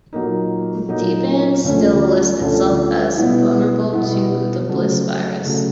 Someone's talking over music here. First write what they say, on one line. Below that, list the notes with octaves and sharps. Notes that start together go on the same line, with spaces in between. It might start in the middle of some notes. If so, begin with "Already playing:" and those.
Debian still lists itself as vulnerable to the Bliss virus.
A#2 F#3 A#3 D#4
A#2 F#3 A#3 D#4
D2 D3 F3 A3 C#4
D2 D3 F3 A3 C#4
B2 G3 B3 E4
B2 G3 B3 E4
C#3 F#3 A3
C#3 F#3 A3